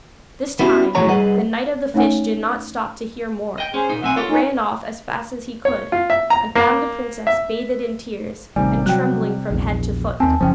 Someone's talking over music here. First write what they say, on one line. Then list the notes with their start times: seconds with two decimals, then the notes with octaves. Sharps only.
This time the Knight of the Fish did not stop to hear more, but ran off as fast as he could, and found the princess bathed in tears, and trembling from head to foot.
0.59 B3 C#4 E4 F#4 G4
0.95 A2 E3 G#3 F#4 C#5 A#5
1.08 G3 G#4 B4 D#5 F#5
1.94 A3 C#4 D#4 C#5 F#5 G#5
3.58 D#5 G5
3.74 C#4 G#4 C5
3.90 A#2 D#4
4.02 B1 C4 E5 F#5 G#5
4.17 F4 A4 C#5
4.30 C#4 D#4
5.65 C#5
5.92 F4
6.10 E5
6.30 A#5
6.55 A#3
7.27 E5
8.56 A1 C3 D#3 G3 G#5
8.86 F#3 G5 F#6
9.51 A#1 E2
10.20 D#2 C4 G#5 A5
10.41 F#1 F3 C#4 C5 G5